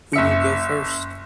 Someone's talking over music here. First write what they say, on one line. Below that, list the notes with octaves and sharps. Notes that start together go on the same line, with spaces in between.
Who will go first?
F#1 E5 C#7